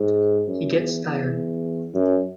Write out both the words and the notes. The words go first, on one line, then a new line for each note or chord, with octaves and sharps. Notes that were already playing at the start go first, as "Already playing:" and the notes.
He gets tired.
Already playing: G#2
F#2
E2
E2
F#2